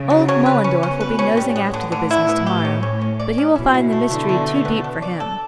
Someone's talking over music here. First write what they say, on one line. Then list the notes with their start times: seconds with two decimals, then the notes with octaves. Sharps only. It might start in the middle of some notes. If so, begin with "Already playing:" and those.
Old Moellendorff will be nosing after the business tomorrow, but he will find the mystery too deep for him.
Already playing: C#3
0.10 F#3
0.28 C#4
0.46 B4
0.64 C#4
0.82 B2 C#4
1.01 B4
1.19 C#4
1.37 A2 G3
1.56 B3
1.74 D3
1.92 A2 D3
2.11 E4
2.29 B3
2.46 G4
2.65 C#4
2.83 C#4
3.01 C#4
3.20 D5
3.38 C#4
3.56 B2 E4
3.74 E4
3.93 A3
4.11 B2 D3 E4
4.29 A3
4.47 A3
4.65 B3
4.84 D4
5.02 D5
5.20 A4